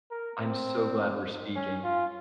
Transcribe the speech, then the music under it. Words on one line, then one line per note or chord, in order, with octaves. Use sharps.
I'm so glad we're speaking.
A#4
C4
C#4
F4